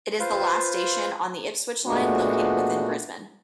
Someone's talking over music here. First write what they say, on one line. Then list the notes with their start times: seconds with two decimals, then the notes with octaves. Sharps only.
It is the last station on the Ipswich line located within Brisbane.
0.20 F4 B4 C5 F5
1.85 A#2 G#3 A3 B3 D4 F#4